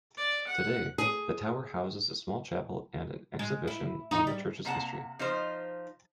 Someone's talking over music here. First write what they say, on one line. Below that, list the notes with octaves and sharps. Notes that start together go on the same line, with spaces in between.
Today, the tower houses a small chapel and an exhibition on the church's history.
D5
F#5
G#4
G#3
E4
D#4
G3
C3 A#3 F#5 A5
F3 D#4 F4 C5